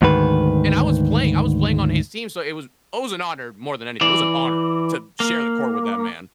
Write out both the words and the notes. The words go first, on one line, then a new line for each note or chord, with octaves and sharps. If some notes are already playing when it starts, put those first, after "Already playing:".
And I was playing I was playing on his team, so it was oh, it was an honor, more than anything it was an honor to share the court with that man.
D2 G#2 D#3 B4
E3 D5
A#3